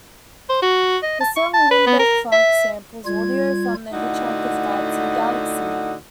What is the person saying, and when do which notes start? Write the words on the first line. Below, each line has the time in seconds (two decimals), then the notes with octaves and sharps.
The song "Limbic Funk" samples audio from The Hitchhiker's Guide to the Galaxy.
0.49 C5
0.62 F#4
1.03 D#5
1.21 A5
1.36 C#6
1.54 A5
1.71 B4
1.87 B3
1.99 A#4
2.32 E5
3.06 G3 F4 G#6
3.92 A2 D3 D#4 F#4